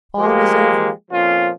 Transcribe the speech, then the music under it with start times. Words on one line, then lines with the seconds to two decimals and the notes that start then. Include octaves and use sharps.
All was over.
0.18 F3 G#3 A#3 G4
1.11 F2 A#2 F3 C#4 F4